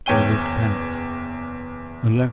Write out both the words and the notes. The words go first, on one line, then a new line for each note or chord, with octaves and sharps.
He looked back, and lo!
F#1 E2 C#5 G5 D#7 G7